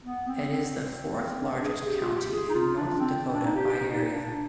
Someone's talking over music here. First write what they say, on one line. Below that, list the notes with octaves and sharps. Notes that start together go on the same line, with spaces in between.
It is the fourth-largest county in North Dakota by area.
B3
C4
C4
D4
G#4
G4
F4
G4
G#4
D#4
F4
D4
C4
D4
D#4
G4
G4
D#4
D4